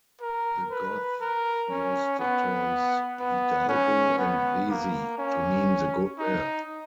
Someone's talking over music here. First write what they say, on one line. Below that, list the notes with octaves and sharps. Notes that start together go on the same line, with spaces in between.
The Goths used the terms "hidalgo" and "Vesi" to mean the "good men".
A#4
B4
A#4
C#4
B3
B3
C#4
B3
A#3
C#4
D#4